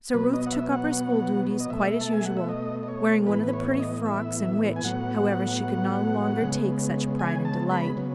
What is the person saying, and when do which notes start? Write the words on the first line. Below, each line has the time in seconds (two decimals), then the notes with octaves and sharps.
So Ruth took up her school duties quite as usual, wearing one of the pretty frocks in which, however, she could no longer take such pride and delight.
0.13 B2 F#3 B3 B4
0.33 D#5
0.46 F#5
0.52 E5
0.72 F#5
1.60 D#5
1.70 B2 A3 E5
2.01 A5
2.13 G#5
2.26 F#5
2.37 E5
2.49 D#5
2.83 D#5
2.88 C#5
3.27 A2 E3 B3 B4
3.44 B4
3.53 C#5
3.74 C#5
3.79 D#5
4.06 E5
4.76 G#5
4.84 A2 F#3 B3 F#5
6.41 C#3 G#3 B3
7.19 G#5
7.45 A5
7.72 B5
7.97 C#3 F#3 B3